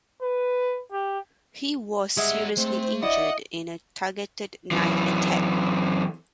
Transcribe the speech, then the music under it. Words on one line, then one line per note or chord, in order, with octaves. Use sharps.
He was seriously injured in a targeted knife attack.
B4
G4
G3 G#3 E5 F#5
A3 C4 C5
E4 D5 D#5 F#5
F#2 E3